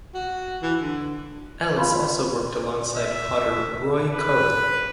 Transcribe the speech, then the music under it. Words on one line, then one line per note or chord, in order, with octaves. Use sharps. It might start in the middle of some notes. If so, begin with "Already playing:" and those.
Ellis also worked alongside potter Roy Cowan.
F#4
E3
D3
F4 F5 B5 C6
E5
B4